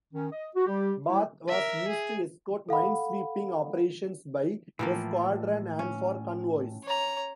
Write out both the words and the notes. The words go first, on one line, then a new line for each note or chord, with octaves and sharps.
"Bath" was used to escort minesweeping operations by the squadron and for convoys.
D#3 C#4
D#5
F#4
G3 G4
F#3 G3 A3 E4
A#4 E5
G#4
A4 F5 F#5 B5
A2 E3 F3 A#3
C#4
C#5 A#5